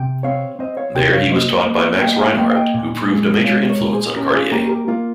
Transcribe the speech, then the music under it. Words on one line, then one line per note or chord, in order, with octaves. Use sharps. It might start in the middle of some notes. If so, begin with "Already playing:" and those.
There he was taught by Max Reinhardt, who proved a major influence on Cartier.
Already playing: C3 G5
C4 C#5 F5
C4 C5 D#5
C#5 F5
C3 D#5 G5
C#5 F5
A#3 C5 D#5
A#3
A#3 D#5 G5
G5
F5 G#5
A#3 D#5 G5
F5
D#5 G5
A#2
G#3
G#3 C#5 F5
A#4 C#5
A#2
G#4 C5
C#4 G4 A#4
F4 G#4
A#3 G4 A#4
G4 A#4
A#3 F4